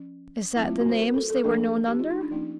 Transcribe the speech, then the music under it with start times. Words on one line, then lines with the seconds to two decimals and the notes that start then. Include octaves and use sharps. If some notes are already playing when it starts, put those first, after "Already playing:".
"Is that the names they were known under?"
Already playing: F3 C#4
0.56 F#3 A3 C4 E4
0.67 F4
0.79 F#4
0.89 C5
1.00 A#4
1.14 A4
1.30 A4
1.44 F3 A3 D4 A4
1.66 G#4
1.88 G4
1.99 F4
2.11 D#4
2.21 D4
2.31 F3 A#3 C#4 D#4